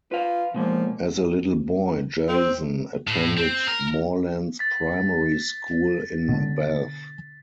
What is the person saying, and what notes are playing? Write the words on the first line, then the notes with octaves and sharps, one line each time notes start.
As a little boy, Jason attended Moorlands Primary School in Bath.
F4 B4 F5
B2 F3 G#3 A#3
C4
A2
C4
A#4
A6 B6
B2 D3